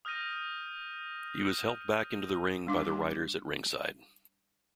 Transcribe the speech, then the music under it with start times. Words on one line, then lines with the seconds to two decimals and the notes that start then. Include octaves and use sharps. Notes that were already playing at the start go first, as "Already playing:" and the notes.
He was helped back into the ring by the writers at ringside.
0.05 D#6 F6 G6 A#6 D#7
2.67 G3 D4 D6